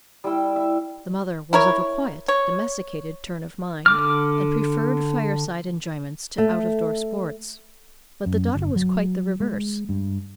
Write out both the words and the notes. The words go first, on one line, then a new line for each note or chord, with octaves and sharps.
The mother was of a quiet, domesticated turn of mind, and preferred fire-side enjoyments to out-of-door sports; but the daughter was quite the reverse.
G3 E4 G5 E6
E5
E4 A#4 C#5
C#5
D3 D6 F6
A3
F#2
G1
F#3
G#3
G2